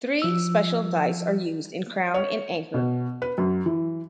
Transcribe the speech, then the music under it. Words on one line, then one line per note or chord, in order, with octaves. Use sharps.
Three special dice are used in Crown and Anchor.
F3 E6
C#5
B2
B4
F#2
E3